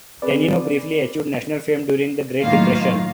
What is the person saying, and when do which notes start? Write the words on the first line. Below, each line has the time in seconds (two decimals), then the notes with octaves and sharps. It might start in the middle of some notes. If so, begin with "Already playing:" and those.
Tenino briefly achieved national fame during the Great Depression.
0.22 C4 G#4 B4 D5
2.41 A2 D#3 F#3 A#3 F4 F5